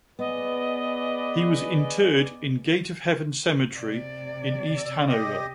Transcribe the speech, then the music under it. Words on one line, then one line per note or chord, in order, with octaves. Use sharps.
He was interred in Gate of Heaven Cemetery in East Hanover.
B3 G#4 B4 D5 D#5
C3 D5
E6
G4 D#5